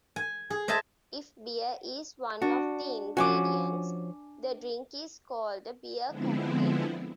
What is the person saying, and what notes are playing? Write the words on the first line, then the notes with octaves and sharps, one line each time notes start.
If beer is one of the ingredients, the drink is called a beer cocktail.
G#5
G#4
C5 D#5 E5 G#5 A5
D4 F#4
F3 C#4 F#4 G#5 D6
D3 F3 G#3 B3 C4 E4